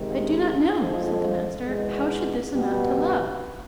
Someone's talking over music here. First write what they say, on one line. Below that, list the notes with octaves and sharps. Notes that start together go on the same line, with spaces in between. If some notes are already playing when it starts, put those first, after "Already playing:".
I do not know, said the Master: how should this amount to love?
Already playing: C3 D#3 G#3
F2 D3 F3 G#3
E2 B2 G#3
B2 G3 B3